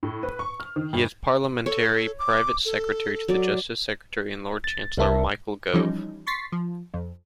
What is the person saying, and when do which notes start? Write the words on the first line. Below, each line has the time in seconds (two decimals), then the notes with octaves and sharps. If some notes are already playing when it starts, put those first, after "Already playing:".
He is Parliamentary Private Secretary to the Justice Secretary and Lord Chancellor, Michael Gove.
0.03 A2
0.23 B4
0.39 C#6
0.60 F6
0.76 D#3
0.93 G1
1.66 A4 C#5
2.19 D6
2.65 A4
3.28 F#3 D5
4.64 A6
4.97 C2 G3 A#4 E5 A5
5.73 E3 F3 G3 C#4 D#4
6.27 C6 C#6 A6 B6 C7
6.52 F3
6.94 F2